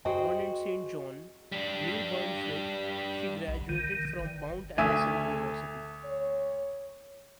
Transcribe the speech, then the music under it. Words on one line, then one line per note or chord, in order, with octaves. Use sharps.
Born in Saint John, New Brunswick, she graduated from Mount Allison University.
F#4 G#4 C5 D#5 G5
G3 D4
B1
D#3
G1
D2 A3 E5 G#5
C#5